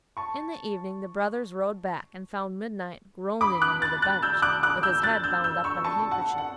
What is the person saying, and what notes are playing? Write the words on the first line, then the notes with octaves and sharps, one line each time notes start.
In the evening the brothers rode back, and found Midnight groaning under the bench, with his head bound up in a handkerchief.
A5 C#6
B5 D6
D6 F#6
F#6 A6
F#6 A6
E6 G6
D6 F#6
D6 F#6
E6 G6
F#6 A6
E6 G6
E6 G6
C#6 E6
A5 C#6
F#5 A5
F#5